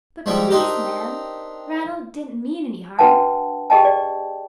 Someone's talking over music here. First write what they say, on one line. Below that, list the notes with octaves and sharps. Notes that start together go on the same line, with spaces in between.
"But, please ma'am, Ranald didn't mean any harm."
G#2 F3 G3 C4 G5
C4 D4 D#4 G4 A#4
D4 F#4 B4 F#5 G5 A5
G4 G#4 D#5 G5 A5
D5